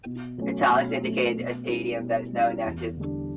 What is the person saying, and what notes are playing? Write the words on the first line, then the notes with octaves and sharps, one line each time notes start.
"Italics" indicate a stadium that is now inactive.
B2
F#3 A3 C#4
B2
F#3 A3 C#4
B2
G3 C#4 E4
B2
G3 C#4 E4
E2
D3 G3 D4